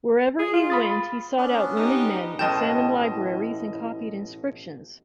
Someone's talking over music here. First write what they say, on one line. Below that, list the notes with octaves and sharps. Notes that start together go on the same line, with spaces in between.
Wherever he went he sought out learned men, examined libraries, and copied inscriptions.
G#4
F4
B5 D#6 A6
B3 C#4 D4
D#4 G4
A1 B2 G#3 E4 D#5 G5 A5 E7